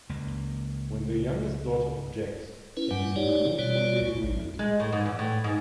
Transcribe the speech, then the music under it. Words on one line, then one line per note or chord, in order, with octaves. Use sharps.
When the youngest daughter objects, she is removed from the agreement.
C#2 A#3
C#4 E4 B4
G2 G3 F#5 G#5
D#4 G4 C#5 D5
B2 G3 F4 C#5 D5
C#2
A1
G#3
A2
G#2
E2
A2
G#2